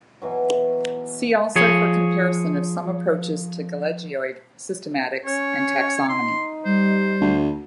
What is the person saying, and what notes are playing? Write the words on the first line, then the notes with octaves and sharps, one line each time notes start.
See also for comparison of some approaches to gelechioid systematics and taxonomy.
B2 E3 F#3
F3 G#4 C#5
C#4 C#5
D#4 C6
G3 C5
D2